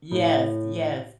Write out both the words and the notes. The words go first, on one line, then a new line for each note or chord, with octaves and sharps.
Yes. Yes.
A2